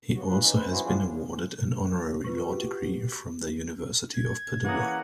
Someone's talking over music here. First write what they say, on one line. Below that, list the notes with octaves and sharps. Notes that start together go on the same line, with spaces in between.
He also has been awarded an honorary law degree from the University of Padua.
C#3 F#3 G3 B3 F#4
F4 F#4 G#4 B4
E3 C#4 D#4
B4 C5
B3 C#4 E4 F#4 C5
F3 G3 D4 F4 G#4
F4 B4 C#6
F#4 G4
G#6
E3 A#3 C#4 G#4 F#5 A#5 D#6